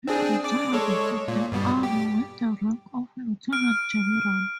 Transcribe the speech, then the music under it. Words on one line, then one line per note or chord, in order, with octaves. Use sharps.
He retired from the army with the rank of lieutenant general.
C4 D4 G#4
D5 D6
G#3 A4 C#5
A#2
G2 B2 G3
G4
F6 D7